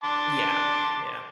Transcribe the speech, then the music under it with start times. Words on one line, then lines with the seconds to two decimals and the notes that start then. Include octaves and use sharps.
Yeah, yeah.
0.04 A5 C6 D6